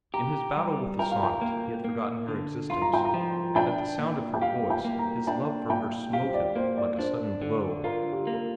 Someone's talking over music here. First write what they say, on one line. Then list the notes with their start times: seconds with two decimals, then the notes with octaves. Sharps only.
In his battle with the sonnet he had forgotten her existence, and at the sound of her voice his love for her smote him like a sudden blow.
0.14 G4 A#5
0.56 G3
0.99 A#4 G5
1.11 F5
1.23 G5
1.41 A#3
1.84 A#3
2.28 D3
2.70 F4 C6
2.82 A#5
2.94 G5
3.05 A#5
3.14 F3
3.56 D4 G5
3.98 A#2
4.34 G5
4.41 G4 F5
4.70 G5
4.85 A#3
4.99 A#5
5.27 D4 G5
5.70 A#2 G5
6.13 G4 F5
6.25 C5
6.34 D5
6.56 A#3 C5
6.77 D5
6.99 D4 C5
7.42 D3
7.84 F4 A#4
8.13 G4
8.27 A#3
8.33 A#4